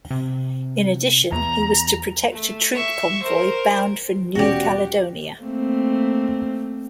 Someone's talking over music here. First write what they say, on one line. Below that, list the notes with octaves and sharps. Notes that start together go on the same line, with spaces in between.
In addition, he was to protect a troop convoy bound for New Caledonia.
C3
E2 A#5
A3
E5 C#6
A#4 C5
E1 C#4 F#4 G4 D5
A3 A#3 C4